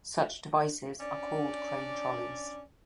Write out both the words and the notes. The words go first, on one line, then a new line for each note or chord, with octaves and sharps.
Such devices are called crane trolleys.
C#4 D4 D5